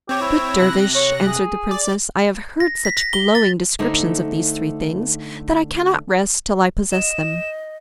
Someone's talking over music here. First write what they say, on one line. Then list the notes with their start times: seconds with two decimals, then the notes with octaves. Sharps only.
"Good dervish," answered the princess, "I have heard such glowing descriptions of these three things, that I cannot rest till I possess them."
0.09 C4 G4 C#5
0.22 E4
0.59 C3 F#6 A#6
0.96 C#5
1.26 G#4
1.71 D5
2.60 A#6
2.85 B6
2.97 A#6
3.13 G7
3.35 A6
3.79 D3 A3 D#4 C5
6.92 D#5 E7